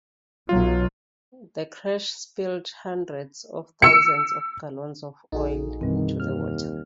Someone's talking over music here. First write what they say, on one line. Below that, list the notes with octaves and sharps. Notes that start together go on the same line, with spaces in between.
The crash spilled hundreds of thousands of gallons of oil into the water.
B1 F#3 F4
E6 C#7
A#1 D#4 F#4 G#4 A4
F#2 B2 D#3 E3 G3 C4
D#2 F6